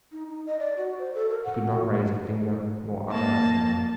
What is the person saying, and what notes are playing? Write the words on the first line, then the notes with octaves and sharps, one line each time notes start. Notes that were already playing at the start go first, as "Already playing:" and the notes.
He could not raise a finger nor utter a sound.
D#4
D#4
D#5
D5
F#4
C5
A4
A#4
F#5
F#4
A#3 A5